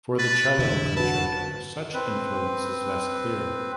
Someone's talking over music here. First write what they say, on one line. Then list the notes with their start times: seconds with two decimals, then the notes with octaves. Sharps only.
For the Cello Concerto such influence is less clear.
0.19 B4 A6
0.59 F1 D3 E3 E4
0.97 F#4 B4 A5
1.94 C4 B4